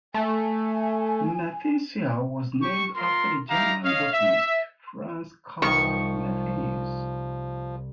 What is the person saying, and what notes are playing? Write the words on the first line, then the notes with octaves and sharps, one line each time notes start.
"Mertensia" was named after the German botanist, Franz Carl Mertens.
A3 G#5
G4 C#6
A#3 F4 A#4 C6
D#4 E4 G4 F5 A#5
C#5 D#5 F5
E5
C2 D#3 F3 C#6